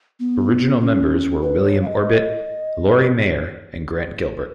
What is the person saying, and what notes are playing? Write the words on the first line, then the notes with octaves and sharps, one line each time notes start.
Original members were William Orbit, Laurie Mayer and Grant Gilbert.
B3
C#4
B4
C#5
F5
D#5